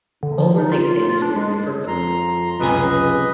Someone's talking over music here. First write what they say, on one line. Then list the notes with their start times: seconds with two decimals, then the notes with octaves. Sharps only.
Oliver thinks Stan is wearing a fur coat.
0.23 D3
0.38 F3
0.58 D#4
0.72 F4
1.10 F4
1.22 D4
1.36 G#3
1.88 F2 A#5 C6
2.60 C#2 F#2 C3 G#4 B4 D#5